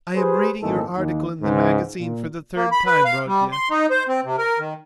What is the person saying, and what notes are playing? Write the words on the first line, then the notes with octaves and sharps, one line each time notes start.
I am reading your article in the magazine for the third time, Rodya.
G4 G#4 B4 C5
G#1 A#2 E3 A3 D#4 A4
D#2
C#2 G#2
A#2
A#3
B5
B4
F5
G3
C6
D#4
C5
C4
C3
A#4
D#3